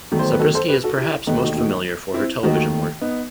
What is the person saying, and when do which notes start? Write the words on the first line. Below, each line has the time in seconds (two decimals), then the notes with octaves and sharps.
Zabriskie is perhaps most familiar for her television work.
0.11 E2 D#3 F#3 A3
0.19 C5
0.30 B4
0.39 F#4 A4
0.55 A4 C5
0.69 G4 B4
0.84 F#4 A4
0.98 E4 G4
1.27 E1 D#2 D#3 A3 B3 D#4
1.42 D#4 F#4
1.56 D#4 F#4
2.14 C4 E4
2.43 D#2 D#3 A3 D#4 F#4
3.01 B3 D#4